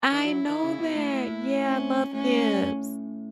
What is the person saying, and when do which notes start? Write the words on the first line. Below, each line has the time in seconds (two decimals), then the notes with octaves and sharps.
I know that. Yeah, I love Gibbs.
0.12 D#3 E4
0.25 F#3
0.49 D#3
0.63 C#3
0.78 B2
0.95 A2
1.12 A2
1.62 C#4
2.13 A2 C#4